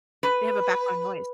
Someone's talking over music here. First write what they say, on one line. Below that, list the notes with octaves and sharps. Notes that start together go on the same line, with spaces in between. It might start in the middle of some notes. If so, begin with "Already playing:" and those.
They have a background noise.
B4